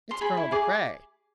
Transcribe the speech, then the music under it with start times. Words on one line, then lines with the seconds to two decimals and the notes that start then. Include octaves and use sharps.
"It's Colonel De Craye."
0.11 C6
0.21 G#4 B5
0.37 E4
0.52 G#4 D6